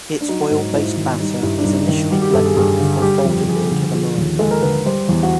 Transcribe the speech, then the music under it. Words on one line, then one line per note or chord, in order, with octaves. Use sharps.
Its oil-based batter is initially blended before folding into the meringue.
D4
F#3 D#4
G#2
G#2 E4
D#3
G3 D#4
G2 E4
D4
G2 D#4
D#3
G3 F#4
G4
G2 A4
G#4
G2 G#4
D3
G#4
G3 G4
F2
F2 G#4
A4
G#4
D3
F3 G#4
D#2
G#3 A4
A#4
D3 B4
G3 C5
E2
F#4